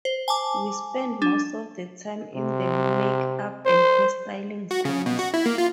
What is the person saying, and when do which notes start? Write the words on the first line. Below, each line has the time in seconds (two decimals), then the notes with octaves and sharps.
"We spend most of the time in the make-up and hairstyling rooms".
0.05 C5
0.28 G#5 A5 D6
1.22 D4
2.35 C3
3.65 C5
4.71 F#4
4.85 C#3
5.06 B2
5.19 F#4
5.34 E4
5.46 A#3
5.58 F4